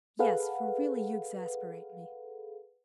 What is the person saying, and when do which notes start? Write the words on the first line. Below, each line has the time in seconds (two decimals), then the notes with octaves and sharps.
"Yes, for really you exasperate me."
0.19 G#4 A4 B4 F5 F#5